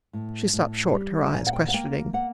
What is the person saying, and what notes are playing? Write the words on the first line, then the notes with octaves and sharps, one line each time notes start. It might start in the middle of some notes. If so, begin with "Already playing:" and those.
She stopped short, her eyes questioning.
A2
A2
G3
A5
A#2 G#5
F#5
G5
F#5
A#3 G5
A#3 F#5